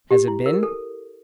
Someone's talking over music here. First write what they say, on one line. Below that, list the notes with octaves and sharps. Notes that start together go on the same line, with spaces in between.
"Has it been?"
G4
E4
A#4
A4